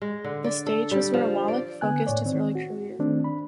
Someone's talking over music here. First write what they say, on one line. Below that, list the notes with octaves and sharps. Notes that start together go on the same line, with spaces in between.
The stage was where Wallach focused his early career.
G#3
D3
D5
A4
G3
F3
D5
D3 B3 G#5 F#6
A2 C#5 D5
D#3 C4
F#4
D#3 A3 C4 D4
B5